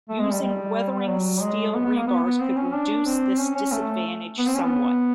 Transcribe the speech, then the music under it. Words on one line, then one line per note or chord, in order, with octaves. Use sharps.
Using weathering steel rebars could reduce this disadvantage somewhat.
A3
G#3
G3
G3
F#3
G#3
B3
B3
A#3
B3
B3
C4
C#4
D4
C4
C#4
C#4
A3
B3
C4
C#4
B3